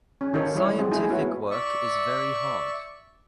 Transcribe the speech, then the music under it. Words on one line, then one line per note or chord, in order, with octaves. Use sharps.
Scientific work is very hard.
C#4
D#3 D#4 A4 A#4 C#5
E3 G3 E4 C#5
F3 G#3 C4 F#4
A3 D#4 E4 G#4
B3 E4 F#4 C#5
D5 E5 C#6